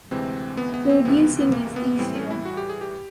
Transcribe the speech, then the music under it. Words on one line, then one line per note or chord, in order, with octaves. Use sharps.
Producing is easier.
D2 C3 E3 G#3 C4
B3
B3
C4
C#2 C3 E3 G#3 B3
B3
B3
A#3
B3
A2 E3 G3 C4
C#4
E4
F#4
G4
G#4
G4